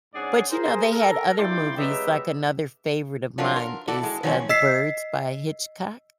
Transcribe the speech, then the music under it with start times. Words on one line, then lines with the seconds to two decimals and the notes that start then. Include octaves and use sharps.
But you know, they had other movies, like another favorite of mine is, uh, The Birds by Hitchcock.
0.14 G#2 C#4 D4 G#4 D5 F#5
0.50 G#4 A#4 C5
0.92 A4 A#4
1.38 G2 A#3 E4 D5 G5 C6
1.78 F#3 G#3 B3 D#4 G4 E5
3.38 F3 F#3 D4 F4 A4 A#4
3.56 A#4
3.88 E4 F#4 A4 D5
4.03 G#3
4.23 D#3 F3 F#3 C4 C#4
4.49 D#5 E6 B6 C7